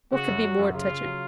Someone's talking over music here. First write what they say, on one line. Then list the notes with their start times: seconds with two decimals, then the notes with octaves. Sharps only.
What could be more touching?
0.12 C#3 F#4
0.28 F#2
0.43 F#3
0.59 F#2
0.74 C#3 F4
0.90 C#3
1.06 F#3